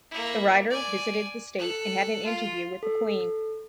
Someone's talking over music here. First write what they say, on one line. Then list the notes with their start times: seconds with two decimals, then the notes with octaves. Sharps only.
The writer visited the state and had an interview with the queen.
0.11 A#3 E4
0.70 D5 G#5
1.58 A4 F#6
2.25 F4
2.83 A4